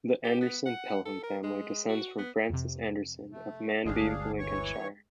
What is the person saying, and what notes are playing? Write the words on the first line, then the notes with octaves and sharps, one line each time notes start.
The Anderson-Pelham family descends from Francis Anderson of Manby, Lincolnshire.
G4
B3
F#5
A4
A#4
G#3
F#4
B3
F2 C3
A3
G1 D2 G#3 D4 G#4 F5
E3 C#5 C#6